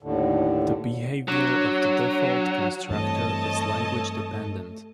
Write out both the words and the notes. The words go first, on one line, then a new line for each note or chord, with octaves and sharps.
The behavior of the default constructor is language dependent.
D#2 A2 D3
F#3 D4 C#5 C#6
G2 E3 A3 C4 C#5 D#5 A5